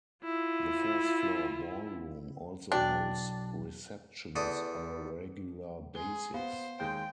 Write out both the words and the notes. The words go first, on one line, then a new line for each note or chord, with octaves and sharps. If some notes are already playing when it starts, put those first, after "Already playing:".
The first floor ballroom also holds receptions on a regular basis.
E4 F4
B1 D4 F#4 G5
E2 A4 D5 D#6
G#3 G#4 G7
B3 C5 F5
D#2 G#3 G5 G6